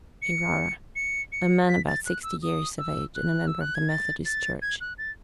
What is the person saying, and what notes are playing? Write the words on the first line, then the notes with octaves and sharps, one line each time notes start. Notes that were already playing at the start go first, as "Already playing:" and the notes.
Hirara, a man about sixty years of age, and a member of the Methodist Church.
C#7
C#7
C#7
B6
A6
F#6
E6
D#6
E6
F#6
E6
F#6
G#6
A6
A6
G#6
F#6
A6